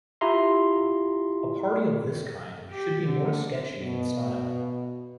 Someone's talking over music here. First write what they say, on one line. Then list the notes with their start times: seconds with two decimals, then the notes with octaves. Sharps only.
A party of this kind should be more sketchy in its style.
0.21 E4 F4 G4 E5 A#5 C6
2.70 G4
3.07 D3
3.81 B2